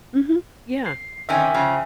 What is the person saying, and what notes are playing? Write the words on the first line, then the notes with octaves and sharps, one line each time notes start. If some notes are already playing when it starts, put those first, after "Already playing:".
Mhm. Yeah.
C7
C3 D#3 C#4 E5 G5 G#5
C#3 F3